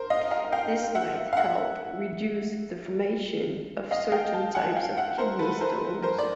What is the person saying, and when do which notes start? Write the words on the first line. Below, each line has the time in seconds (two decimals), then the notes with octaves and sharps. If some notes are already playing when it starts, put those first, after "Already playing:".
This might help reduce the formation of certain types of kidney stones.
Already playing: A#4 C5
0.10 D#5 F5
0.31 D#5 F5
0.52 F5 G5
0.95 E5 F#5
1.33 F5
1.37 E5 F#5
3.91 D#5 F5
4.12 F5 G5
4.33 G5 A5
4.55 F#5 G#5
4.76 F5 G5
4.97 E5 F#5
5.18 A#4 C5
5.39 A4 B4
5.60 A#4 C5
6.02 A#4 C5
6.19 D5